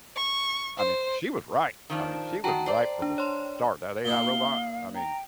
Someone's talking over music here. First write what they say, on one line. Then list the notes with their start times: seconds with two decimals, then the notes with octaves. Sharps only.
I mean, she was right! I mean, she was right from the s start, that AI robot I mean, sh
0.16 C#6
0.78 C5
1.90 D#3 F3 D4
2.44 D#3 F#4 G5 A5 A#5
2.66 C5 D5
3.02 D4
3.18 C#5 C6
4.05 A#2 D#4 E4 F5 G7
4.95 G5 A#5